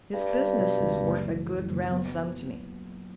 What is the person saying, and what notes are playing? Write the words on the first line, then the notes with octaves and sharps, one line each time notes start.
His business is worth a good, round sum to me.
G2 D4
G3
B2
C#2
F#1
E3
F#2
F#1
B3